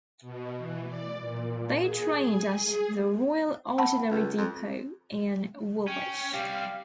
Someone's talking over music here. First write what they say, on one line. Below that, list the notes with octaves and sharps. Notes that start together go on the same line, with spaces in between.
They trained at the Royal Artillery Depot in Woolwich.
B2
E3
D5
A#2
G#4
G#5
G#4
F#5 A5 B5
C#2
F2
C#4 G5
G3 C4 G4 F5